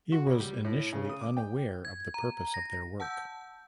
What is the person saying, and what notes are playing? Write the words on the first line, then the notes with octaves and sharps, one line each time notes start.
He was initially unaware of the purpose of their work.
F#4
C#2
G3
A2
C#3
D#6
D6
G5
G#6
A#5
A#6
F#5 A5 E6 G6